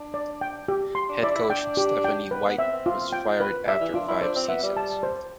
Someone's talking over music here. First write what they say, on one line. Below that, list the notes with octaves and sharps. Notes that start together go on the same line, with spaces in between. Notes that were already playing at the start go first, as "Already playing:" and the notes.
Head coach Stephanie White was fired after five seasons.
Already playing: D4
D5
G5
G4
C6
D4
E4 D5
D4
E4
D4 G5
G4
G5
B4
B3
C4 E5
F4
G5
B4
G3 E5
E3
D4 F4
E4
D4 C5
C4
B3 E5
G3
A5
C5